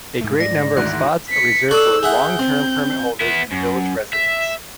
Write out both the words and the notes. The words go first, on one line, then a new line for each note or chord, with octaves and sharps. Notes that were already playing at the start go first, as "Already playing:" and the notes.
A great number of spots are reserved for long-term permit holders and village residents.
G#2 A3
D5 A#6
D2 G#2 D#3 E3 F#6
B6 C#7
A4 C#5 D5 E6 F#6
G#4 E5 F#5 G6
C4
B3 E4
F#2
E5